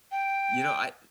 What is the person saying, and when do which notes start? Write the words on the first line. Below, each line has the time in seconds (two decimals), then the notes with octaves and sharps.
You know, I, uh
0.12 G5